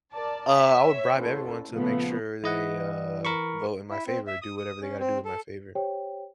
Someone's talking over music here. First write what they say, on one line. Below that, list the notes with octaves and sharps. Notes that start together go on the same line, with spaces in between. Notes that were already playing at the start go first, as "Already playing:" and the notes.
Uh, I would bribe everyone to make sure they, uh, vote in my favor, do whatever they gotta do in my favor.
A#4 D5 A5
C#5 E5
A1 A4
A#2 C#3 F3 A3 B3
E3 E4 D#5 F#5
A#4 B5 C#6
E4
C4
E5
D#6
D#6
C#4
C4
A4
G4 C5 C#5 G5